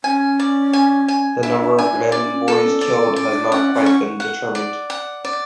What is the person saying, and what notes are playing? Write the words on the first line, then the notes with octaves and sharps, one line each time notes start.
The number of men and boys killed has not quite been determined.
C#4 G#5
D5
G#5
G#5
D4 E4
D4
D4 G#5
C#5
D4 D5
D4
C#4
B3 A4
C#4
B3 D5
C#4
D5
D4
C#4 F#5
C#4
C#6
F#5
D5
F#5
D5